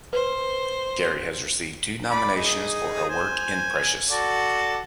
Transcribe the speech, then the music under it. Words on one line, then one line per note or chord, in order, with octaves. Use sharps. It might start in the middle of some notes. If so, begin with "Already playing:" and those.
Carey has received two nominations for her work in "Precious".
B4 C5
D5 B5
D#4 G#4
C5 G#5
F#4 A4 D5